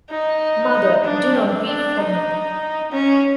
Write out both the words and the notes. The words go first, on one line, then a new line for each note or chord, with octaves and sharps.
Mother, do not grieve for me.
D#4
D4
C4
D4
D#4
C#4